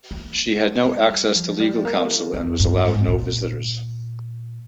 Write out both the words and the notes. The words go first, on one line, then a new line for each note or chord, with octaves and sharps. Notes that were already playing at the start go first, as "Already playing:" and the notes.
She had no access to legal counsel and was allowed no visitors.
A#3
G#3
G3
F3
G3
A#3
D#3
F2
G2
G#2
A#2